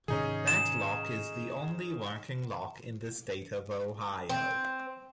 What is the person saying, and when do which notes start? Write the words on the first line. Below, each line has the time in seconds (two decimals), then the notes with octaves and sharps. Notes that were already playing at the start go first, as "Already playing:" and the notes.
That lock is the only working lock in the state of Ohio.
0.08 G#2 C3 D#3 C#4 D#4 G#4
0.47 E7
4.29 C4